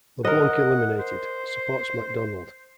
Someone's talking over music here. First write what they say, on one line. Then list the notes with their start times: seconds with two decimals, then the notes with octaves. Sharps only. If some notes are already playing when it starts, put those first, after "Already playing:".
LeBlanc eliminated, supports MacDonald.
0.25 A#4 D#5 F#5
1.00 C5